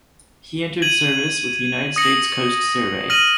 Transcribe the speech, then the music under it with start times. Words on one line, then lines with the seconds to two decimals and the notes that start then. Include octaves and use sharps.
He entered service with the United States Coast Survey.
0.82 G#6 D#7 F#7
1.96 D#6 A#6 C#7 F#7
3.10 F6 A#6 D#7 F#7